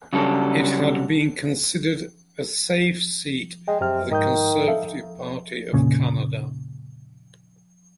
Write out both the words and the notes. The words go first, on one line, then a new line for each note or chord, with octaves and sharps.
It had been considered a safe seat for the Conservative Party of Canada.
C#3 F#3 G3 D4 A4
G#3 G5
F#2 C3 F6
G#2 D#3 D#6 G6
A4 E5 F5
F1 A#2 C#3